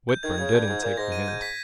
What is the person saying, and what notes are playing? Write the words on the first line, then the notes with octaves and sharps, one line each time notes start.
Whitburn didn't take the hint.
G6
D#3 G#6
C#3 G#6
G2 G#6
G#2 G#6
A#2 G6
G#2 A#6
D#7
G6
B6